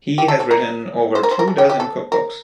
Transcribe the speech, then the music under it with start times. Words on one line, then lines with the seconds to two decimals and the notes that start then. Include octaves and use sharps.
He has written over two dozen cookbooks.
0.18 G4
0.28 A4
0.40 A4
0.51 A#4
1.15 C5
1.23 A#4
1.31 C5
1.39 A#4
1.48 A4
1.58 G4
1.70 G4
1.80 A4
2.12 A#4